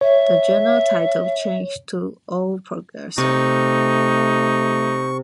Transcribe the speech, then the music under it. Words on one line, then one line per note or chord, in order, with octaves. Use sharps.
The journal title changed to "O Progresso".
C#5 E5
C3 A3 D#4 C#6